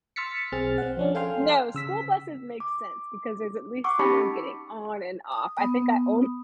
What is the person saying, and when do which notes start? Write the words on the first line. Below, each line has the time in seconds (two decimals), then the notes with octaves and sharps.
No, school buses make sense because there's at least someone getting on and off. I think I only
0.16 C6 E6 F6 A6 B6 C#7
0.52 B1 C4 G#4 F6 A6
0.78 C4 F#5
0.97 F3 C#4 D4
1.15 A4 F5 G5 G#5 C6 F6
1.74 C#3 E6 B6
2.60 D6
3.84 F#5 C#6 D6 E6
3.99 C#4 D#4 G4 A5 B5 C#7
5.32 D#6
5.57 B3 D#6